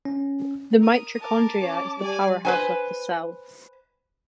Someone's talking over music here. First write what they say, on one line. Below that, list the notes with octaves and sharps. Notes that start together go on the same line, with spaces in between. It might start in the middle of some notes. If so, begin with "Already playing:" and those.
The mitochondria is the powerhouse of the cell.
C#4
A#4 D#6
A#4 A5 D6
C#4
G3 D5 G#5
B4 C5 G#5